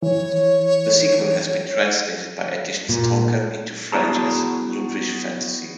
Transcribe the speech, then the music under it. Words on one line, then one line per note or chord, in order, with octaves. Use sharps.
The sequel has been translated by Editions Tonkam into French as "Ludwig Fantasy".
E3 C#5
A#2
B3 E4 F#4 G#4 A5 A#5